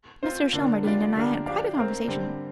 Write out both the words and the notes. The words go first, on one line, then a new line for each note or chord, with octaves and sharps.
Mr. Shelmardine and I had quite a conversation.
C4 F4 C5
D3 A#3 D4
G3 D4 F4 D5 F5
D3 A#3 D4 G4 A#4
F3 D4 G4 D5 F5
C4 A#4 F5
D3 G3 C4